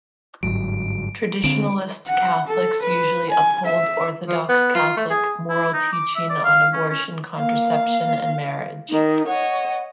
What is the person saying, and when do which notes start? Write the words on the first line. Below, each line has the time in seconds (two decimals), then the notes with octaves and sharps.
Traditionalist Catholics usually uphold orthodox Catholic moral teaching on abortion, contraception and marriage.
0.43 G1 G#2 F#3 D7
1.44 D3 C4 D4 D7
2.07 F#5
2.47 A4
2.82 B4
3.30 G#5
3.65 E5
4.28 F3
4.49 B3
4.75 F4
4.97 A3
5.10 G#4
5.49 E4
5.73 D#4
5.93 D6
6.16 E5
6.30 D5
6.44 F5
6.74 C#4
6.90 C#4
7.37 A#3 F5
8.90 D#3 D#4
9.27 C#5 D#5 F#5